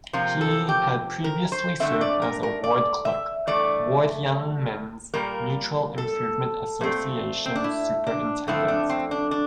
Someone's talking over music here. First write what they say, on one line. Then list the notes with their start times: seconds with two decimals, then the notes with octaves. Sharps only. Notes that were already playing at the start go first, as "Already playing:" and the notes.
He had previously served as ward clerk, ward Young Men's Mutual Improvement Association superintendent.
0.13 C3 F3 A#3 F4
0.41 A4
0.69 G4
1.24 A#4
1.52 C5
1.80 G2 D3 A3 C4 E5
2.01 D5
2.22 A#4
2.43 A#4
2.64 D5
3.05 E5
3.47 G2 E3 A3 D5
5.14 A#2 G3 A#3 A#4
5.98 A4
6.81 A#2 A3 C4
7.46 C4
7.56 D4
7.64 E4
8.07 D4
8.47 F2 D3 A3 C4 E4
8.68 D4
8.89 C4
9.11 D4
9.31 D4